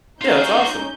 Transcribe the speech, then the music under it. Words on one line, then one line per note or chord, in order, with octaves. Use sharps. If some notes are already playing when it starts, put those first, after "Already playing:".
Yeah, that's awesome.
C#4 D#4 F4 F#4 G6